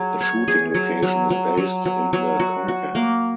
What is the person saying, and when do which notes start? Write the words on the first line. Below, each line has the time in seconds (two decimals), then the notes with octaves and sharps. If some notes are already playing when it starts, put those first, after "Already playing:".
The shooting location is based in the Konkan.
Already playing: F#3 G#4
0.21 C#5
0.48 G#4
0.74 F#3
1.03 F#3
1.30 F#3
1.57 F#3
1.85 F#3
2.13 F#3
2.40 F#4
2.68 F#4
2.95 A#3